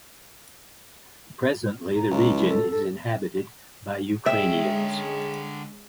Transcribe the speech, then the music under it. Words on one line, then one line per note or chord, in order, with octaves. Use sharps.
Presently, the region is inhabited by Ukrainians.
A#5
C#2
E4
A4
A4
D3 G#3 C#4 G#4 E5 G5